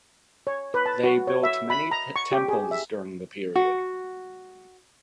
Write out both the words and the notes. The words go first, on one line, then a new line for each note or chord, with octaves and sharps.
They built many temples during the period.
C#5
B4
A5
F#4
C#5
E5
B5
A#5
C#6
G4
G#4
E5
F#4